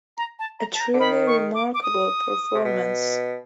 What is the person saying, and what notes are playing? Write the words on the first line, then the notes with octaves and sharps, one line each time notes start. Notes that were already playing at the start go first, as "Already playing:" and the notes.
A truly remarkable performance.
A#5
A5
A#5
A5
A#5
D3
D#3 B5
C#6
D6
D6
D#6
C3
B2